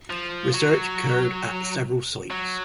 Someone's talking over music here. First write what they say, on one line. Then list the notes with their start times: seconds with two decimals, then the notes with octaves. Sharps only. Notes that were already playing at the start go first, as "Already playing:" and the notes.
Research occurred at several sites.
0.10 F3
0.54 F#3
2.31 F#3